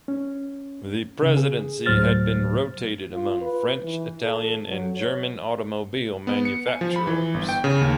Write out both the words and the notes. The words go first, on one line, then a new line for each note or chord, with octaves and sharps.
The presidency had been rotated among French, Italian and German automobile manufacturers.
C#4
C#3
G#4
D2 A2 F#3 C5 F6 A6
F4
B4
E3
A4
F#3
C#5
B3
C#7
G#5
F3
B5
E3
G1
G5
C#3
D#2